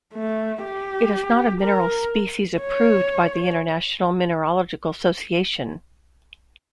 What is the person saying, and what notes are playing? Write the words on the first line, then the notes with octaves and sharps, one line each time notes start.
It is not a mineral species approved by International Mineralogical Association.
A3
G4
A#4
C#5